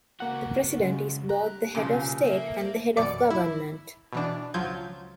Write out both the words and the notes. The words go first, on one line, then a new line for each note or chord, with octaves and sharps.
The President is both the head of state and the head of government.
C#2 A#3 F#4 F#5
C#3 G#3
D4 G4 A#5 F#6
B1 A#2 C#3 F3
A#3 A4 E5
C5 D5
A1 F#2 B2 D5 D6 C#7
E4
B2 E3 D4
C#2 F3 F#3 F4 G6 G#6